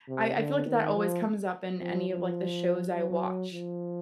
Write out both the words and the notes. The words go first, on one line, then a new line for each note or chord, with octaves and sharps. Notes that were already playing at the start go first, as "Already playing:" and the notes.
I I feel like that always comes up in any of, like, the shows I watch.
C3
D3
D#3
F3
F3
F3
F#3
F3